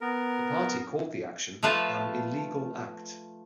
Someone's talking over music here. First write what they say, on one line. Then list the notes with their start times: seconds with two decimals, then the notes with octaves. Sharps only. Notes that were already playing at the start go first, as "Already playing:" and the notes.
The party called the action "an illegal act".
0.01 B3 A#4
1.63 F3 A3 F4 B4 A5